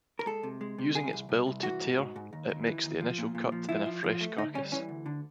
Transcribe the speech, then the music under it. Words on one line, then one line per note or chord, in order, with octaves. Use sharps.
Using its bill to tear, it makes the initial cut in a fresh carcass.
A#4
G#3 A4
C3
G#3
C3
C2 G#4
C2
C2
C2
E3 F#4
G#2
G#2
G#2
D#2
D#2
E3
D#2
F3
A#2
A#2
F3
F3 E4
F3
F3
A3
D2 D#4
G3 C#4
E3 C#4
D2
D3